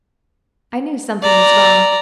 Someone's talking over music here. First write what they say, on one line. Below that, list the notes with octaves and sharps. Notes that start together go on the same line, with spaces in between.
I knew something was wrong.
D5 A#5